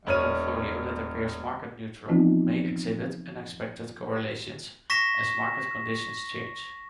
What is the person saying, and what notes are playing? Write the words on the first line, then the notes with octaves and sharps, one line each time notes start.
A portfolio that appears market-neutral may exhibit unexpected correlations as market conditions change.
E1 C#5 F6 D#7
E3 F3 B3 C4 D#4 F4
C#6 A#6 B6 E7